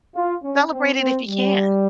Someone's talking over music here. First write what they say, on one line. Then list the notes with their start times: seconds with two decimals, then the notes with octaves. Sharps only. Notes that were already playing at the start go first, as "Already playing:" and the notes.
celebrate it if you can.
0.15 F4
0.43 C#4
0.71 C4
0.99 C4
1.27 G3